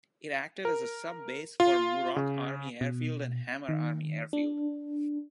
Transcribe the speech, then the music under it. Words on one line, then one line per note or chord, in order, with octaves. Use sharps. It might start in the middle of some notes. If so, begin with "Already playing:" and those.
It acted as a sub-base for Muroc Army Airfield and Hammer Army Airfield.
A#4
F4
C#3
B2
D#3
D4